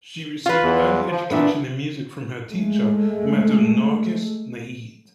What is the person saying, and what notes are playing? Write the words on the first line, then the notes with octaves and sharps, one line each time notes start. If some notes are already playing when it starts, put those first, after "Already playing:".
She received early education in music from her teacher, Madam Nargis Naheed.
F4 B4
E2
F3
A#2 B3 D4 E5
G#3 A3